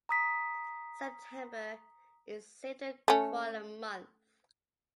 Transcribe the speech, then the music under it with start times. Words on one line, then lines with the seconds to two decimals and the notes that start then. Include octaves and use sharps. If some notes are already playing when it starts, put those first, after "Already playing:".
September is Save the Koala Month.
0.09 A#5 D#6 B6
3.08 A3 C#4